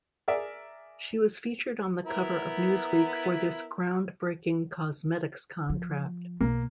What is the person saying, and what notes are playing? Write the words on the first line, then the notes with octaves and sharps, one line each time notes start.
She was featured on the cover of Newsweek for this ground-breaking cosmetics contract.
G#4 A#4 D5 E5
B3 E4 A#4
F3
B1 A#3